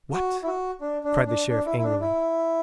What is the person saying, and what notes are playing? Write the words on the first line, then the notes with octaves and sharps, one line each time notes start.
"What?" cried the Sheriff angrily.
F#4
E4
F#4
D4
D4
D4
D4
E4
E4
D4
E4